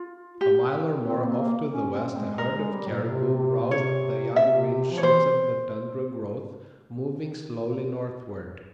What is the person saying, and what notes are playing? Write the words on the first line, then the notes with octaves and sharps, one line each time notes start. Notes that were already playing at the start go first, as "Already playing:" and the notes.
A mile or more off to the west a herd of caribou browsed the young green shoots of the tundra growth, moving slowly northward.
Already playing: F4
G4
C4
A#3
A#3
C#4
C4
G#3
G#3 A#4
G#3
G3
A#2
C3
C3
A#2
C3 C#5
C3 E5
F3
C#5
E3 C5